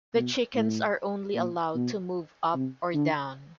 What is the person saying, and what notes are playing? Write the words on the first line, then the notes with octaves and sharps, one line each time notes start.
The chickens are only allowed to move up or down.
B2
A2
A#2
B2
C3
D3